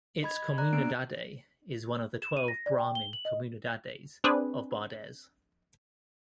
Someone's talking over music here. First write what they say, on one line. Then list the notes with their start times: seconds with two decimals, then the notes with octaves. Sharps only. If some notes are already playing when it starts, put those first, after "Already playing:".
Its comunidade is one of the twelve Brahmin comunidades of Bardez.
0.23 D#5 B5 G#6
0.58 D5 A#5 F#6
0.73 A#3 B3 D4 D7
2.22 E7
2.37 D#7
2.48 A#6
2.66 D5
2.78 G5
2.95 G7
3.13 F#7
3.25 D#5
4.24 C4 D4 G#4 B4